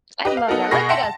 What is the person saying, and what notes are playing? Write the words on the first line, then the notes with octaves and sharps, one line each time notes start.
I love that. Look at us.
G4 B4 D#5
F5
B3 D#4 F#4 A4 A#4
B2 G#4 A#4 B5 C#6 A#6
E5 F#5 G5 A5 C6
A5